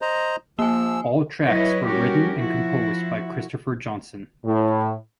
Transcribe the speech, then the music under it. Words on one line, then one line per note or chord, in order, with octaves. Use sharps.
All tracks were written and composed by Christofer Johnsson.
C5 D#5 A#5
F3 A#3 G#5 E6
F#3 E4 B4 C#5 D#5
G3 C#4 F#4 G4 A#4
F3 E4 F#4
A2